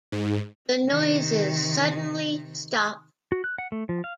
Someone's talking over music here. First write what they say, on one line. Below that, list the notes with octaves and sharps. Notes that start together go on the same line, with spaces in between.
The noises suddenly stop.
G#2
C3 D#3
F#4
F#6
F#5
A3
F3
F5